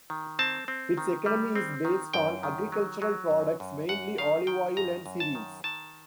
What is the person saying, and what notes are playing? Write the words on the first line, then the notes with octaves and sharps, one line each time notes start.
Its economy is based on agricultural products, mainly olive oil and cereals.
D#3
C4 A5
C4
D#3
G3
C4
D#3
F#2 G5
D#3
F#3
F#3
F#2
F#2
F#2 F#5
D#3 F5
D#3 G5
F#2 A#5
F#2
A5
D#3
D#3 A5